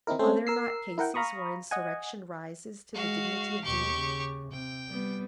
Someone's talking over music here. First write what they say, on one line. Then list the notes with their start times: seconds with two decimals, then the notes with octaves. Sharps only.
Are there not cases where insurrection rises to the dignity of duty?
0.07 D#3 C4 D#4 E4 A#4
0.19 A3 C4 C#4 A4 C5
0.47 A#4 E6 C7
0.98 E4 A#4 F#5 G5
1.14 F5 A#5 B5 C#6 D#6
1.71 D#5 F#5 G#5
2.94 G#3 F#4 F5
3.64 D#2 B2 G4 C#6
3.96 C#3
4.52 C3 G5
4.89 G3 B3